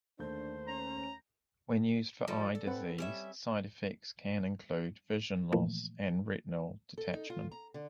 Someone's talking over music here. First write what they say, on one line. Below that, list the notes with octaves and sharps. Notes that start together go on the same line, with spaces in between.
When used for eye disease side effects can include vision loss and retinal detachment.
D#2 D3 A3 D4 C5 G6
C#4 A#5
F3 G3 A4
A4
C4 B4 F#5
G3 C#4 E5
A#2 E3 F3 A3 A#3
A4
D#4
F4
A#5
D3